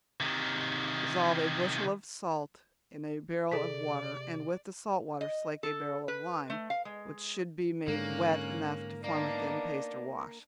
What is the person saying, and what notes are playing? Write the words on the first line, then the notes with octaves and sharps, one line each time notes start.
Dissolve a bushel of salt in a barrel of water, and with the salt water slake a barrel of lime, which should be made wet enough to form a thin paste or wash.
C3 D#3
C3 G#4 A4 D5 B6
D#5
A4
B4
A3
F5
G#3
G#2 D3 A#3 C#4 F#6
A#3 B3 D4 D#4 D5